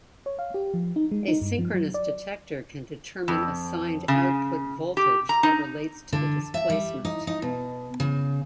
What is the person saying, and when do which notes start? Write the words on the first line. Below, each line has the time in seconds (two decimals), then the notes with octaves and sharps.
A synchronous detector can determine a signed output voltage that relates to the displacement.
0.26 C#5
0.39 F5
0.54 G4
0.74 F3
0.96 D#4
1.11 G#3
1.28 D#4
1.42 G2
1.59 F3
1.74 F#3
1.94 D5
3.28 F2
4.08 C#3
4.97 G4
5.29 A#5
5.43 D#4
6.13 D3
6.54 E5
6.70 G3
7.05 D#4
7.27 D#4
7.42 B2
8.00 C#3